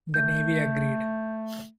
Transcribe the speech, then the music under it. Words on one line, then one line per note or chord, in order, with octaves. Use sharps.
The Navy agreed.
A3 G6